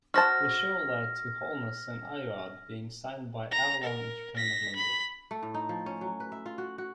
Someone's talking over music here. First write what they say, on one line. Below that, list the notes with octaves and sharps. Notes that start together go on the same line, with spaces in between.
The show led to Holness and Ayoade being signed by Avalon Entertainment Limited.
F#4 C5 A5 F6 A#6
A#5
A#4
A#6 B6
B5
A3
A2
D#4
F3
C#4
F#3
B4
E5
F4
F#4
F#4